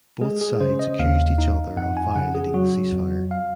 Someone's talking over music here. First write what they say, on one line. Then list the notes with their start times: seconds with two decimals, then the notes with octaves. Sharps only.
Both sides accused each other of violating the ceasefire.
0.21 G#3 G#4
0.41 G#4
0.61 C#3 C5
0.79 D#5
0.99 D#2 F5
1.38 D#4
1.77 F2 F#5
1.97 G#5
2.16 C#3 F#5
2.35 G#4
2.54 F#3 F#4
2.93 F2
3.31 F5